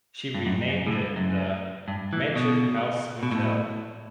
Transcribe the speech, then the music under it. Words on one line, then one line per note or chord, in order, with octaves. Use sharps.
She renamed it the "Mansion House Hotel".
G2
F#2
F#2
A2
G2
F#2
G2
E3
B2
B2
A2